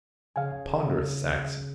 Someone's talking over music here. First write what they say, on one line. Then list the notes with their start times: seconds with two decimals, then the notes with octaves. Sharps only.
A ponderous Saxon.
0.36 C#3 F5 G#5